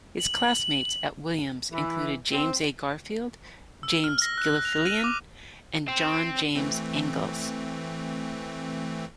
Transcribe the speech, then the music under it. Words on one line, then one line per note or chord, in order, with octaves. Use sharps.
His classmates at Williams included, James A. Garfield, James Gilfillan and John James Ingalls.
F#7
E3
C4
E6
F6
A#6
F#6
F7
D#7
D6
C4
E3 A3 C4